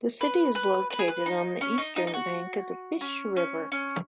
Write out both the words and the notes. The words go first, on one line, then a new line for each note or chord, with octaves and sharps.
The city is located on the eastern bank of the Fish River.
B4
B4
B4
G#4
B4
D#4
C#4
D#4
D#4
D#4
F#4
C#4
C#4
C#4